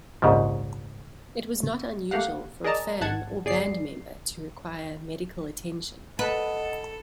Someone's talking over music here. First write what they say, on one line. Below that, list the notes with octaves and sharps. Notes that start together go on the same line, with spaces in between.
It was not unusual for a fan or band member to require medical attention.
A#1 D#2 G#2 C#3 F3
A3 A#3 G4 F5 F#5
G#4 A#4 D5 D#5 A5 A#5
A1 G#2 F#5 A5 G#6
G1 G#4 D5 C7
A4 B4 D#5 F#5